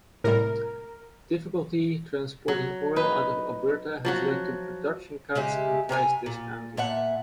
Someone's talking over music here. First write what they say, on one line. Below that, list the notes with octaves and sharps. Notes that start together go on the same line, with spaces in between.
Difficulty transporting oil out of Alberta has led to production cuts and price discounting.
A2 C3 G3 A#4
F#3
D#4 B4
F3 F#3 F#4
C#3 G#3 G4 E5
C3 A#4 B4 G#5
A#2
A#2 E5 F#5